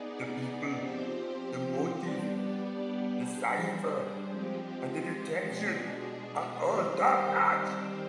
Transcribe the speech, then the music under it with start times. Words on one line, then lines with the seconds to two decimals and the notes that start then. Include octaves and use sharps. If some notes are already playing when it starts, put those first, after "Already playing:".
The people, the motive, the cipher, and the detection are all topnotch.
Already playing: B3 D#4 G#4 D5
0.79 F3 C4 G4 C5
1.96 G3 B3 D4 G4 D5
3.13 G3 D4 G#4 C5
4.30 F3 G#3 C4 G4
5.47 B2 G#3 D4 G#4
6.63 D#3 G3 C4 G4 C5